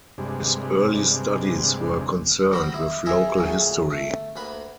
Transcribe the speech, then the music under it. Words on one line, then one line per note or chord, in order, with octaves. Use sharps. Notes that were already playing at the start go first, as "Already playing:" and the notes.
His early studies were concerned with local history.
G2 C3 G#3 D4
G3 C4 F#4 C5 A#5 B5
D#4 E4
E4 G#4 A#4 D#5 E5 G#5
A#2 C#3 F#3 A3
A3
D2 A#3 B4 B5